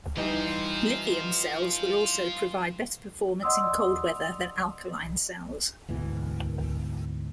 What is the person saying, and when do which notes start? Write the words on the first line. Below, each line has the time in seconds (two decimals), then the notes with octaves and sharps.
Lithium cells will also provide better performance in cold weather than alkaline cells.
0.17 E3 G3 D#4 F4 C5
3.43 D5 D#5 F#5 C6 D#6 E6
5.88 D2 G#2 B2 E3